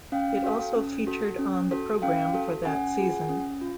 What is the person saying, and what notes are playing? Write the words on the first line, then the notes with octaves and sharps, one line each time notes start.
It also featured on the programme for that season.
C#4 F5 G5
F#4 A4
C#4
F#4 A4
C#4
F#4 A4
C#4 F5 G5
F#4 A4
C#4 F#5 G#5
F4 G#4
C#4
F4